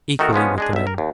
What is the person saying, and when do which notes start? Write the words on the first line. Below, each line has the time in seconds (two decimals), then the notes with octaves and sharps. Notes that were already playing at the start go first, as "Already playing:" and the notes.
Equally with the men.
0.19 D#3 A3 D#4 F#4 A4 A#4
0.33 F3 G#3 B3 C#4
0.58 G#3 D4 G#4
0.73 B1 E5
0.87 A#4
0.98 D#2